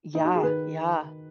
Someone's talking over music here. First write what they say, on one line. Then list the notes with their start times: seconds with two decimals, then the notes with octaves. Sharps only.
Yeah, yeah.
0.15 D#4
0.24 F#4
0.34 G#4
0.43 D#3 B4